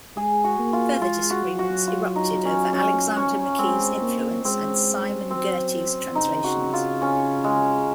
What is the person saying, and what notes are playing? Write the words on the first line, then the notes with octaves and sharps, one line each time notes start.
Further disagreements erupted over Alexander McKee's influence and Simon Girty's translations.
G#3 G#4
F#4
A#3
F4
G#3 F4
F#4
F#3
F#4
F4
D#4
C#4
C#4
C#4
G#3 C4
A#3
G#3 C4
F#3 C4
C#3 D#4
F#4
F4
C#4
G#3